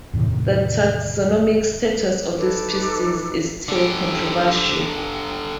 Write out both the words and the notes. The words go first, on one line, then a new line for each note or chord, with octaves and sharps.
The taxonomic status of this species is still controversial.
E2 A2 C3 D#3
D#4 A4 B4 D6
D3 G4